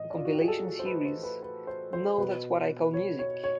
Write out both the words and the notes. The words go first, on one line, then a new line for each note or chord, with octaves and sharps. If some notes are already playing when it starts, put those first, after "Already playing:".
The compilation series Now That's What I Call Music!
Already playing: A2 E3 D#5
D5
F4
F#4
G4
G#4
A4
C5
B4
C5
B4
B4
C5
C5
B2 B4
C#5
C#5
C#5